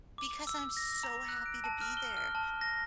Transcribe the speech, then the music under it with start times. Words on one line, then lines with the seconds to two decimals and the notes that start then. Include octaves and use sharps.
because I'm so happy to be there,
0.18 D6
0.47 E6
0.77 A#6
1.03 A#5
1.29 F#6
1.46 D7
1.64 A5
1.81 F6
1.97 G7
2.17 F6
2.35 A5
2.61 A#6